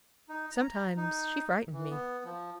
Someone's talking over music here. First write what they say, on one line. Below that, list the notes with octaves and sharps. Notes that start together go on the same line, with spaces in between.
Sometimes she frightened me.
D#4
A#5
D#4
E3
B3
F3